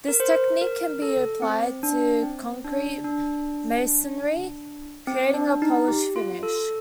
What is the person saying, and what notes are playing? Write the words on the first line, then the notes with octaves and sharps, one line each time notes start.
This technique can be applied to concrete masonry, creating a polished finish.
A#4
C5
A#4
A4
C4
D4
C4
D4
D4
C4
D4
D#4
G4
F4
A4